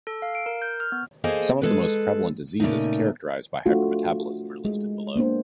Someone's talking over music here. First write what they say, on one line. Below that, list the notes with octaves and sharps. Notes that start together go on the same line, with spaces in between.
Some of the most prevalent diseases characterized by hypermetabolism are listed below.
A4
F5
D7
A#4
G6
F6
B3
A#3 G#4 A4 C5 D#5 G#5
G#3 A4 B4
A#2 C#3 A3 D#4
A3 D4 F4 F#4
G#3
A#3 B3 D4 C5